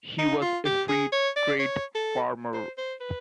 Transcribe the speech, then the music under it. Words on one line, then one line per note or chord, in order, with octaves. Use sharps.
He was a free-trade farmer.
D#4
F4
G4
G#4
C#5
D5
C#5
A4
C5
C5
B4